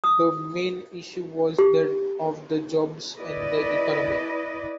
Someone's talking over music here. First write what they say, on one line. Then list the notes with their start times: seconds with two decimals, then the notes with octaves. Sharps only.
The main issue was that of the jobs and the economy.
0.04 D#6
1.59 G4
3.17 E4 B4 D5 D#5